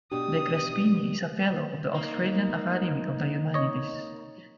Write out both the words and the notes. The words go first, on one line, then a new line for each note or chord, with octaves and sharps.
De Crespigny is a Fellow of the Australian Academy of the Humanities.
B2 D4 G4 D#6
A#3 D#4
C#5 D#5